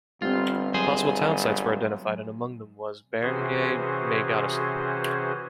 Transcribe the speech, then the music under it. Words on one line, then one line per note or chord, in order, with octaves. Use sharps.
Possible town sites were identified and among them was Barangay Maygatasan.
G1 G3 C4 F4
F#3 G#4 C5
C3 E3 C#4 F#4 G#4 C5